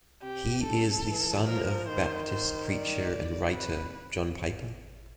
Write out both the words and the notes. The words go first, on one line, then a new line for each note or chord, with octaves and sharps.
He is the son of Baptist preacher and writer John Piper.
C3 G4
C#3 A4
E3
F3 A#4
D#3 C5
C5
D5
D#3
C3 B4